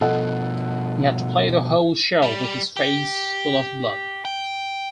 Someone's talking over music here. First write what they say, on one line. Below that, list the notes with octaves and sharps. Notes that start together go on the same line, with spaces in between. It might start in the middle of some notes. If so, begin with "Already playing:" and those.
He had to play the whole show with his face full of blood.
B2 F3 A4 D#5 F#5
G3
G4
G5